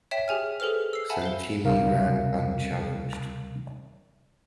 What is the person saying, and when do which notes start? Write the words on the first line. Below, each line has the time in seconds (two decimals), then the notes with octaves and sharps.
Santini ran unchallenged.
0.11 C#5 E5 G5 B6 E7
0.28 G4 G#4 G#5 F6
0.60 G#4 A4 B4 C5 F6
0.93 E6 C7
1.10 E5 F#5 G#5 A5 B5
1.22 C5 F5 G7
1.63 D2 C3 G3 A#4 F5